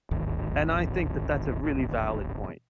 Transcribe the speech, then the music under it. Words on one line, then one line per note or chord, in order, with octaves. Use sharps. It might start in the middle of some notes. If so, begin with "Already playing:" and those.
And I think that that's a really valid point.
D1 G#1 D#2